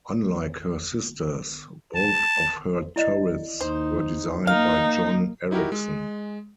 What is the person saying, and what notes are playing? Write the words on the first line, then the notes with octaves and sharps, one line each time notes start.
Unlike her sisters, both of her turrets were designed by John Ericsson.
A5
E4 D5 D#5
D#2 D#4 C5
A#3 D#4 F5
D#4 E4 F#4 G4 A#4
G#3